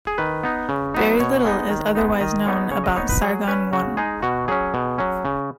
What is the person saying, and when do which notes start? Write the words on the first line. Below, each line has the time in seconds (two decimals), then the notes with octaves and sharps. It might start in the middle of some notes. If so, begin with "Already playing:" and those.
Very little is otherwise known about Sargon I.
0.07 G#4
0.18 D#3 B4
0.43 B3 D#4
0.69 C#3
0.94 F#3 B3 D#4
1.20 B2 C#5
1.45 G#3 B3 D#4
1.70 D#3
1.95 G#3 B3 D#4
2.21 D#3 D#5
2.46 G#3 B3 D#4 C#5
2.71 C#3 C#5
2.84 D#5
2.96 B3 D#4 C#5
3.09 B4
3.21 F#3 G#4
3.48 C#4 B4
3.73 C#3 F#4
3.97 G#3 D#4 G#4
4.22 B2 F#4
4.48 F#3 C#4 G#4
4.74 B2
4.98 F#3 C#4
5.25 C#3